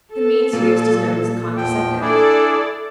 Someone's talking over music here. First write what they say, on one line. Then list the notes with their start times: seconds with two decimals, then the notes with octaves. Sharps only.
The means used is known as a contraceptive.
0.14 A4
0.53 A#2
1.57 E2 F3 G5
2.01 D4 E4 G#4 A4 D5